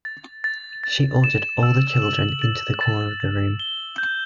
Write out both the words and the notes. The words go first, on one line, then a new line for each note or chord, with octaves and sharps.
She ordered all the children into the corner of the room.
A6
A6
A6
E7
E6
F#7
A6
A6
A6
G7
G6